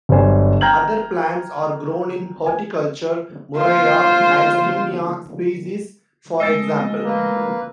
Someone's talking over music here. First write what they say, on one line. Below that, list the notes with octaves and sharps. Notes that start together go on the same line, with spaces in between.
Other plants are grown in horticulture: "Murraya" and "Skimmia" species, for example.
G1 F#3 G3 C5 G#5
G5 A#5 F6 G6 G#6 F#7
G#5
F4 C5
G#3 A3 D#5 E6 A6
A#3 B4